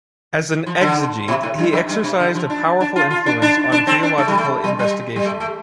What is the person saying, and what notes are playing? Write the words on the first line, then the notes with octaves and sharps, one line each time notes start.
As an exegete he exercised a powerful influence on theological investigation.
F3
D3
C3
A2
G2
F2
G2
C3
D3
F3
D4
D4
F4
F4
D4
D4
D4
C4
D4
A3
G3
A3
G3
G3
G3
A3
A3